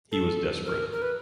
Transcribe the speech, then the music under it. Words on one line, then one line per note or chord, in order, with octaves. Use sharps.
He was desperate.
A4
A#4
A#4
B4